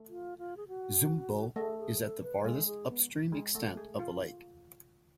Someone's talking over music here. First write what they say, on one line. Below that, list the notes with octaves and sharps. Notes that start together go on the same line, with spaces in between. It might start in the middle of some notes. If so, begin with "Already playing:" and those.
Zumbo is at the farthest upstream extent of the lake.
Already playing: A3
F4
F4
G#4
F#4
A3 G#4
G#4
A4
B4
G#3 A4
G#4
B3
G#3
A3
G#4
F4